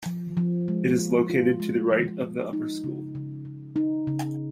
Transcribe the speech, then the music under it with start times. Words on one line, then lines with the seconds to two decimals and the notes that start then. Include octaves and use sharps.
It is located to the right of the Upper School.
0.06 F3
0.37 F3
0.68 G#3
0.99 F4
1.29 F4
1.60 G#3
1.91 F3
2.22 F3
2.53 D#4
2.84 C#3
3.15 C#3
3.45 C#3
3.76 D#4
4.07 C#3